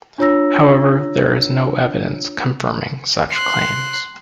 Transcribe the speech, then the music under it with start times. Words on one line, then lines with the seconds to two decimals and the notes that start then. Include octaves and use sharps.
However, there is no evidence confirming such claims.
0.18 D4 F4 C#5 A#5 E6 A#6
3.32 C6 F#6